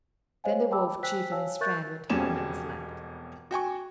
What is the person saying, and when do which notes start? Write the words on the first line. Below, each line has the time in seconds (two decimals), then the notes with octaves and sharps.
Then the Wolf chief and his friend went home and slept.
0.44 C5 C#5 D#5 F5 G#5
0.71 G5 A5 B5 D6 E6
1.03 C5 G5 G#5 E6 F#6 B6
1.32 C#5 F5 G#5 A5 E6
1.61 A#4 E5 C#6 F#6 G6 A6
2.10 E1 F2 B2 G3 C#4 E7
3.51 F#4 G5 G#5 C#6